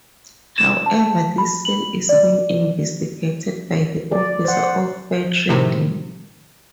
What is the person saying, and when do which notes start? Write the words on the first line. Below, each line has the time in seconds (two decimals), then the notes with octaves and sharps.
However this sale is being investigated by the office of fair trading.
0.58 E7
0.86 A5
1.38 B5
1.65 F#7
2.09 D5
4.12 D5
4.45 C5 F#5
5.49 A2 C3 D#3